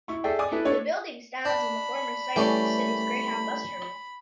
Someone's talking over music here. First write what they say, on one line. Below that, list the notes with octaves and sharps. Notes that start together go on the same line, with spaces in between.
The building stands on the former site of the city's Greyhound bus terminal.
E4 C#6
G#4 A4 D5 E5 G5
D5 G#5 D6 D#6
E4 A4 B4
D4 A4 C#5 D5
D4 B5
E3 G3 A3 C#4 D5 G5